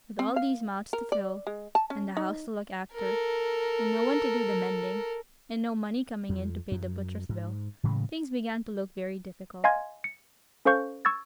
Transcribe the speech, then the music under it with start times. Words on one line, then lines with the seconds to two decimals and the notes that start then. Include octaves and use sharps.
With all these mouths to fill, and the house to look after, and no one to do the mending, and no money coming in to pay the butcher's bill, things began to look very difficult.
0.19 C4
0.36 F5
0.93 A#4
1.12 D5
1.47 G#3
1.75 A5
1.90 C#4
2.17 D#4
2.93 A4 A#4
6.29 F2
6.72 F#2
7.29 G#2
7.84 A2 C#3 E3 G#3
9.64 D#5 F5 G#5 C6 G#6
10.04 C#7
10.65 C#4 A4 C5 F5 C#6 G6
11.05 C#6 E6 G#6 A6